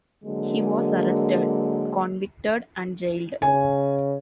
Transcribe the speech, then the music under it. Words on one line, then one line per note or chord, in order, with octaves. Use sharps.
He was arrested, convicted, and jailed.
D3 F#3 G#3 A#3
C#3 G#5